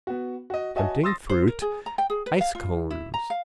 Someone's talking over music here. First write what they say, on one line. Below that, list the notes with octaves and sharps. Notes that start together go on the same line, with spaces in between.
Tempting fruit. Ice cones.
B3 F#4
F#4 D#5
F#4 C#5 D#5 E5 G#5 A5
C6 D#6 E6 A6 A#6
C5
A#4
G#4
A#5
G5
G#4
B4
F5
F4
E4
A#5
F5